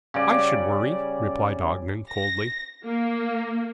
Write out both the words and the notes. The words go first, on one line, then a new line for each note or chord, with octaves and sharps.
"I should worry!" replied Ogden coldly.
C#3 G3 D5
A#6
A#3